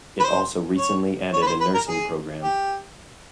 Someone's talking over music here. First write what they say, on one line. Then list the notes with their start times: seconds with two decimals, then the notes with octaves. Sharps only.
It also recently added a nursing program.
0.20 B4
0.24 C5
0.78 C#5
1.33 C#5
1.42 B4
1.47 C5
1.61 B4
1.75 A#4
1.89 G#4
2.43 G4